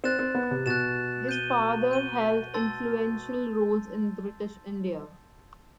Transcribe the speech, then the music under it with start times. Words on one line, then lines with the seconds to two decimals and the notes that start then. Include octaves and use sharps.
His father held influential roles in British India.
0.04 C4 F#6 A6 E7
0.19 C4
0.35 B3
0.51 C3
0.66 B2 F#6 A6 E7
1.29 G6 D#7 G7
1.91 G6 D#7 G7
2.54 A5 C6 E6 A6